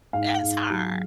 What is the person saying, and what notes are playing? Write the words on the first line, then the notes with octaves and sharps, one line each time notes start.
That's hard.
G#2 F5
G#2
F#3